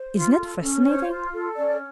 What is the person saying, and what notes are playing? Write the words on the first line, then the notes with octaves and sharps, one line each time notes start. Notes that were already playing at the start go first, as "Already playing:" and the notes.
Isn't it fascinating?
Already playing: C5
F4
A4
C#4
C5 C#5
F4
A4
C#4 D5